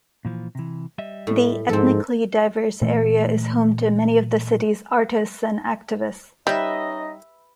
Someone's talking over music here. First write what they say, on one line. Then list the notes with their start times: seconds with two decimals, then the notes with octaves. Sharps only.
The ethnically diverse area is home to many of the city's artists and activists.
0.25 A#2 E3 F3
0.55 C3 E3
0.98 G3 D#5 E5
1.27 A2
1.69 G#2 F3 C4 A4 A#4
2.82 A#2 E3 A3
6.47 G3 C#4 D#4 B4 D#5 E5